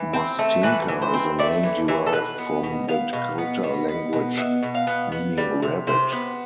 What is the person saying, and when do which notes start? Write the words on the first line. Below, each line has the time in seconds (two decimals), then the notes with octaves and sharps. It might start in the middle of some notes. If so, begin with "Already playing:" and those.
Mustinka is a name derived from the Dakota language meaning "rabbit".
Already playing: E3
0.13 C4
0.39 A3
0.63 E3 B4
0.88 E3
1.02 C5
1.13 C4
1.39 A3 D5
1.63 E3
1.88 E3 E5
2.06 A4
2.13 B2 B4
2.38 B3
2.63 B2
2.88 B3 F5
3.13 B2
3.38 B3
3.63 B2
3.88 B3
4.13 B2
4.37 B3 E5
4.63 B2
4.75 F5
4.87 B3
5.12 B3
5.38 G3
5.62 C3
5.87 C3 C5
6.12 B3